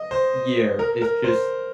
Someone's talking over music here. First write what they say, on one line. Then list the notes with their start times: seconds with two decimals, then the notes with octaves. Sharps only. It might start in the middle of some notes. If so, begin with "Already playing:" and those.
year is just
Already playing: D#5
0.11 C5
0.79 A#4
1.02 A#4
1.24 C5